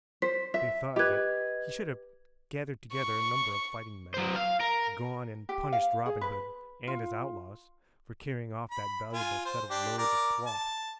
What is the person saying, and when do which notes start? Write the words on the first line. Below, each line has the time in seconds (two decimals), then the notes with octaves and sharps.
But they thought that he should have gathered together a number of fighting men and gone and punished Robin Hood and his outlaws for carrying off that valuable set of loads of cloth.
0.22 C5 B6
0.54 E5 B6
0.96 G4 B4 D#5 G#6
2.92 C#6
4.14 F#3 C5
4.36 F5
4.60 A#4
5.49 G4
5.73 F5
6.06 G#4
6.21 B4
6.87 F4
8.71 B5
9.13 F4 G#5
9.46 C5
9.70 D4 G4
9.98 A#4 D5
10.46 A5